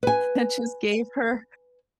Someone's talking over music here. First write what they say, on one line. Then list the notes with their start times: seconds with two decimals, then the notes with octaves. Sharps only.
and just gave her
0.03 B4 G#5